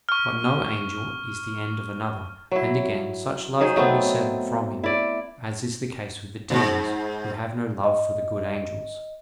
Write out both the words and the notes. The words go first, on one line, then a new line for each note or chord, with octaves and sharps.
But no angel is the end of another; and again, such love can be severed from him, as is the case with the demons, who have no love for the good angels.
C#6 F6
F#3 E4
F#3 D#4 G#4 C5
F#3 A3 B3 C4
E4 D5
E2 G#2
D#5